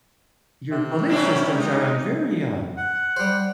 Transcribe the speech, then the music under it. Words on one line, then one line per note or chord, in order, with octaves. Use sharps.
your belief systems are on very, um
C3
F#3 G3 C#4 D4 E4
G#3 D#4 G4
F#5
G3 C5